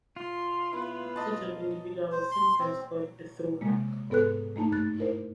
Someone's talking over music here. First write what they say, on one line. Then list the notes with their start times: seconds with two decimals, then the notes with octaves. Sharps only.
Such an individual was sometimes called a "throwback".
0.16 F4 C6
0.73 B3 E4 B4
1.16 D#5 A5
2.12 C5
2.31 C6
2.59 C4
3.61 C3 G#3 A#3
4.10 G#2 B3 A4 B4 F#6
4.56 A3 A#3 D#4 A5
4.72 G2 A3 F#6 A6
4.99 E4 A#4 C5